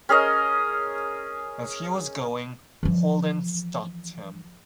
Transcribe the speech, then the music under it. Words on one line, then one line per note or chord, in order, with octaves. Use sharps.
As he was going, Holden stopped him.
C#4 G#4 A#4 D#5
E3 F3